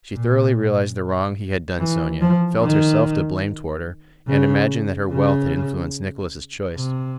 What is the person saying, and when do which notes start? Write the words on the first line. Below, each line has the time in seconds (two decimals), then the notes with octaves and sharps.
She thoroughly realized the wrong he had done Sonya, felt herself to blame toward her, and imagined that her wealth had influenced Nicholas' choice.
0.14 A#2
1.79 E3
2.21 F3
2.61 D#3
4.27 C#3
5.11 C#3
6.76 C3